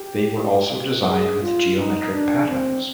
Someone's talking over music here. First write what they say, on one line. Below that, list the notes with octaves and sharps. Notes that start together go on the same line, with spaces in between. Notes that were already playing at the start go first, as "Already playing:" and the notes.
They were also designed with geometric patterns.
Already playing: G4
G#4
F4
D#4
D4
C4